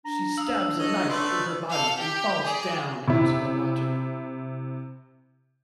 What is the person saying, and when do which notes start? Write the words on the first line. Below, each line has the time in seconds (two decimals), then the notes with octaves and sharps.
She stabs a knife in her body and falls down into the water.
0.05 D4 A#5
0.38 F5 D#6 E6
0.79 A4 C#5 D#5
1.09 A3 B4 D5 C6
1.70 A4 F5
1.99 G4 G5
2.44 G#4 D5
3.08 C3 E4